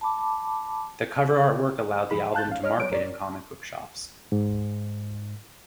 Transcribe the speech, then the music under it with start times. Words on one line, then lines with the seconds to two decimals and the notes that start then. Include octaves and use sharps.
The cover art work allowed the album to market in comic book shops.
0.01 A5 B5 D6
2.11 E2 C3 F3 G#4 B5
2.34 F5 A5 F#6 G6 A6
2.48 A#1 C#4 F5
2.63 C#5 D#5 F6
2.78 F#3 G3 B3 C#5 D7
2.90 A#1 F#2 A#4 C#5 D5
4.32 G#2